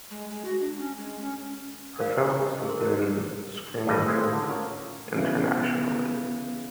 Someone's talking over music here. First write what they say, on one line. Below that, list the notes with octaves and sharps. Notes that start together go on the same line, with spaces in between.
Her films have been screened internationally.
G#3
G#3
F#4
D4
C#4
G#3
C#4
A#4 C5 D5 F5 B5
C6
D4 E4 G5 C6 C#6
D#5
G#4 A#4 C6
E4 F#4 A#4 D5 B5
G#1 G2 E3 G3 D#5
G#3 C4 E4 G4 C5 F5
D3
C#4 F4 A#4
C#3 E3 B3